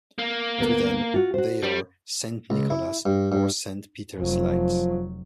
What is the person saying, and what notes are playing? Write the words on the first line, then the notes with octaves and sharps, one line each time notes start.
To them, they are "Saint Nicholas" or "Saint Peter's lights".
A#3
D2 B3 A#4
F4 F#4
F#4 C5
G3
C#2
E4
G2
G2
F1 F3 F#3